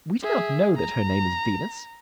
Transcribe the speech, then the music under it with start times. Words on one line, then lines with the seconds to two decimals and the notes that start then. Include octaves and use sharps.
We do not know that her name is Venus.
0.23 G#4 E5
0.76 A#5